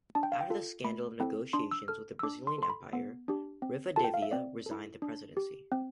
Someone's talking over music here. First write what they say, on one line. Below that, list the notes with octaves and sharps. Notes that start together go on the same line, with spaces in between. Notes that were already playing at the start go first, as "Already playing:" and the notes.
After the scandal of negotiations with the Brazilian Empire, Rivadavia resigned the presidency.
D4 A5
G5
F5
G5
F4 A4
A3 B5
C4 E4 A4
D4 C6
E6
A4 F6
E6
D4 D6
C6
A4 C6
B5
B3
D4 G4
C4
F4 A4 A5
G5
F5
E5
C4 D5
A4
E4
D4
G4
C4